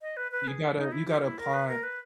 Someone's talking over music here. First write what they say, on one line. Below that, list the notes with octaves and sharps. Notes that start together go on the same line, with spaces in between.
You gotta you gotta apply,
D#5
B4
B4
G#4
D#4
E4
G4
E4
A#4
B4
A#4
B4